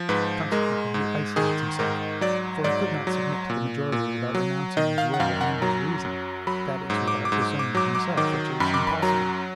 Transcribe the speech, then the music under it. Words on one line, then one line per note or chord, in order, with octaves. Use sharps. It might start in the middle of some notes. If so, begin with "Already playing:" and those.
Consequently, he isolates himself; for he could not submit to the majority without renouncing his will and his reason,--that is, without disowning himself, which is impossible.
Already playing: F3
G#2 B4
G#3 A#4
G#2
D#3 G#4
G#2 A#4
F#3 D5
G#2 D5
F#3
A#2
A#2
F#3
D#3 D#5
F5
F#5
F#2 F5
F#5
F#3 A#5
F#2
F#3 B5
G#2 D6
D6
D6
G#2
D6
D6
F#3 D6
D6
D#3 D6
F#2 B5
D6
B5
F#3 A#5